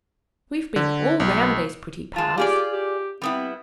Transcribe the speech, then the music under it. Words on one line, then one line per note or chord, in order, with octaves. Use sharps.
We have been all round these pretty paths.
D3
B1
G#3 F4 A5
F4 G4 G#4 D5
G4
G3 B3 C4 E4